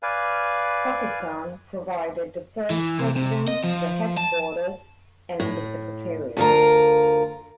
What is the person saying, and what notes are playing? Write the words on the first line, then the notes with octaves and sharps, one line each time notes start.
Pakistan provided the first president, the headquarters, and the secretariat.
B4 D5 F5 G#5
E3
C3
C3
D#5
F3
A5
A2
D2 F4 A#4